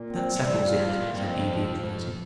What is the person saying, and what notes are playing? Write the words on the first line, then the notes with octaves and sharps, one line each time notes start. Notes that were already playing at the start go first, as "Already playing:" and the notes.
"That settles it," said the Idiot, rising.
Already playing: A#2
C4
C3 G3
E3
F4
G2
G2 A#2
A2
G2 C4
F2
F3